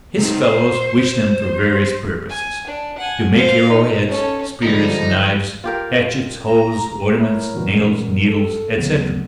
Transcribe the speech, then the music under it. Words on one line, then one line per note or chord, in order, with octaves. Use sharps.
His fellows wish them for various purposes: to make arrow heads, spears, knives, hatchets, hoes, ornaments, nails, needles, etc.
C3 D#4
C5
G#5
D4
F#5 G#5
C5 F5
D#4
C#4 A4
D3 F3 G3 D#4
F4 G4 A#4
A#5
E4 A#4 C#5 A#5
A#2 E3 G3 C#4 F#4 A#4
A4
D2 C#3 E3 F#3 B3